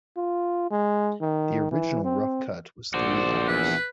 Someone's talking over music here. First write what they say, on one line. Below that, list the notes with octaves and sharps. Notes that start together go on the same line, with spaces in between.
The original rough cut was three hours.
F4
G#3
D#3
E3
C4
A#1 F#4 C5 D5
E2 B4